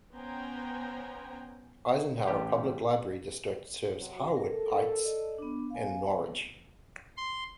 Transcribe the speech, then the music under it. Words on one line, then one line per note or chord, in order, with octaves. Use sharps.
Eisenhower Public Library District serves Harwood Heights and Norridge.
B3 C#4 C5 G5 G#5 A#5
A1 G4
C3 F#3 F#4
A4 A#4
D5 D#5
B3 D4
B3 F5 G#5
C6